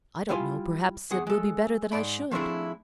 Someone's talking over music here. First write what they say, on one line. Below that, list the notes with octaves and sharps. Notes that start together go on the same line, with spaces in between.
"I don't know; perhaps it will be better that I should."
G3 E4 F4 G#5 C6
E2 G#4 F#5
G#3 A4
G#2 D5 B5
F3 A3 C4 D4 E4 G#4